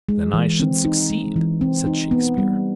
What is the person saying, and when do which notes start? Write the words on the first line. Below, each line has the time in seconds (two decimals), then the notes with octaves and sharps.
"Then I should succeed," said Shakespeare.
0.09 G#3
0.33 E3
0.60 C4
0.85 D#4
1.10 G#3
1.36 E3
1.61 C4
1.86 D#4
2.11 B3
2.38 G3